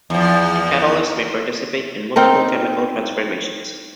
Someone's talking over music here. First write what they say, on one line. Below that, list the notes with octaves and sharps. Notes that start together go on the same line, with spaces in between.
A catalyst may participate in multiple chemical transformations.
E2 F3
C4 D#4 A#4